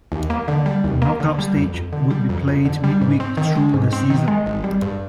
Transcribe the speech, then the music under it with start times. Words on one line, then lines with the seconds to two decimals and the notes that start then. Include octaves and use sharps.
The knockout stage would be played midweek through the season.
0.12 D#2
0.30 A#3
0.48 D3
0.66 G3
0.84 D#2
1.02 A#3
1.20 D3
1.39 G3
1.57 F2
1.74 F2
1.93 D3
2.11 G3
2.29 F2
2.47 F2
2.65 D3
2.84 G3
3.01 G#2
3.20 C4
3.37 D#3
3.55 G#3
3.74 G#2
3.93 C4
4.10 D#3
4.28 G#3
4.46 G#1
4.64 G3
4.82 G2